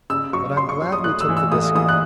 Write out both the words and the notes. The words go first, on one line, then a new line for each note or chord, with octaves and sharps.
But I'm glad we took the whisky.
C#3 E6
F#3 C#6
C#3 C6
C#6
F#3
D#6
A2 F#6
E6
E3
E6
A2 D#6
E3 D#6
F#6